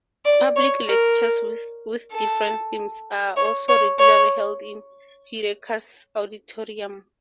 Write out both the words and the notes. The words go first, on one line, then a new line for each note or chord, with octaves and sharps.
Public lectures with different themes are also regularly held in Heureka's auditorium.
D5
C#5
A#4
A4
C#5
C#5
C#5